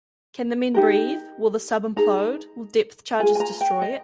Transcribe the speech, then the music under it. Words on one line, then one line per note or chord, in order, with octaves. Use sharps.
Can the men breathe, will the sub implode, will depth charges destroy it?
D#4 G4 A#4
D#4 G#4 A#5
F4 G#4 G#5
G#5
A#5
G5
D#5